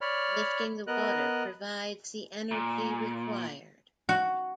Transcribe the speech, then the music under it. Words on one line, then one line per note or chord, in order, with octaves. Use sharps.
Lifting the water provides the energy required.
C#5 D5 B5 F6
B3 A#4 D#5 F#6
A#2
F#4